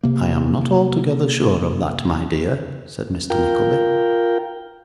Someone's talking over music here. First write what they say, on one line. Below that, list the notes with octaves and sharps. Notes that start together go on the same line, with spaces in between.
'I am not altogether sure of that, my dear,' said Mr Nickleby.
C3 A#3
F4 A#4 G5